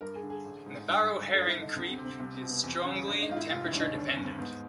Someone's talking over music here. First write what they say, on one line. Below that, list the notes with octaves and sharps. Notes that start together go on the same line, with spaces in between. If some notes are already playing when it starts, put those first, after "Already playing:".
Nabarro-Herring creep is strongly temperature dependent.
G2 A#4
G#4
D3
G#4
A1
G#2
G2
D3
G2 A4
F4
E4
D3
D#4
D2 C4
C4
C3
C4
C2 C4
C4
B2
B3
E2 C4
C#3 C#4
G#1 D4
D#4
G#2 F4
E4
F1 F4
E4
D#2 D4
D#4
G1 D4
C#4
G2
C4
G#2 B3